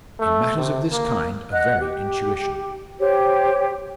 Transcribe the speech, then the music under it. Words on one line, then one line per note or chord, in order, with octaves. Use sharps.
In matters of this kind a very intuition.
A3
C3
A#3
D#5 F#5 F#6
G4
G4 C5 C#5